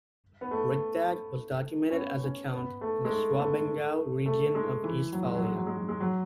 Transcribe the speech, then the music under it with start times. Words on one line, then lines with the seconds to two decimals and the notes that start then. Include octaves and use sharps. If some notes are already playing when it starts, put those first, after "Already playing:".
Rikdag was documented as a count in the Schwabengau region of Eastphalia.
0.41 B3
0.51 A3
1.90 C#4
1.95 B3
2.24 C#4
2.53 B3
2.81 A3
3.05 G#3
3.10 A3
3.31 B3
3.39 A3
4.26 A3
4.55 G#3
4.83 E3
5.13 F#3
5.23 G#3
5.35 F#3
5.45 G#3
5.56 F#3
5.67 G#3
5.78 F#3
5.89 G#3
6.00 F#3